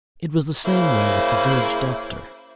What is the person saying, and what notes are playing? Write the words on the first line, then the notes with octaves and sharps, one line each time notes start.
It was the same way with the village doctor.
C#3 A#3 E4 C5